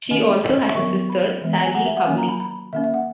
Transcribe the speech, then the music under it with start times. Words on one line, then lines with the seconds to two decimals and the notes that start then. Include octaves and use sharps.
She also has a sister, Sally Hubley.
0.10 D#3 A#3 C#4 D#5
0.43 D#5
0.55 D#5
0.65 E5
0.76 D#3 F#3 B3 C#6
1.10 B5
1.41 E3 G#3 B3
1.53 A#5
1.64 G#5
1.74 F#5
1.85 E5
1.97 F#5
2.06 D#3 F#3 A#3 C#4 G#5
2.18 A#5
2.28 B5
2.40 B5
2.73 D#3 A#3 C#4 E5
2.84 E5
2.94 F#5